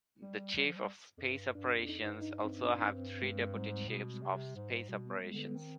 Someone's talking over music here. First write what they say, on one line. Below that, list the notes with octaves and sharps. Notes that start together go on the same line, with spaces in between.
The chief of space operations also have three deputy chiefs of space operations.
G3
G3
F3
G3
F2
G2
G2 D4
F2
D#4
G2
D#4
C4
D4
C4
G#3
G#2 G3
B2
C3
G#2
B2 G3
B3
G#3
D3 B3
D#3 C4